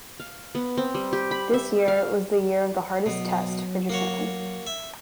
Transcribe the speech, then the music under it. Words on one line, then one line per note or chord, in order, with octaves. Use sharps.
This year was the year of the hardest test for Japan.
F5
B3
C4
G3
G4
B5
E5
F5
B2 F#3
A#3 F#4 C#5
E5